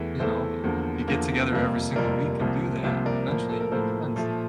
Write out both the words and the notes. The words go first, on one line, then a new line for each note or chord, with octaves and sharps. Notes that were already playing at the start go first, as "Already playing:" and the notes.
you know, you get together every single week and do that, and eventually you make friends, and that's
Already playing: E2 E3 A3
E2 E3 A3 A4 C5
E2 D3 F3 A#3
E2 D3 F3 A#3
F2 C3 G3 A#3
F2 C3 G3 A#3 A#4 D5
C2 C3 F3 A#3
C2 C3 F3 A#3 C5 E5
A#4 D5
A2 F3 A#3
A4
A#4
A2 F3 A#3 A4 C5
A#2 F3 A3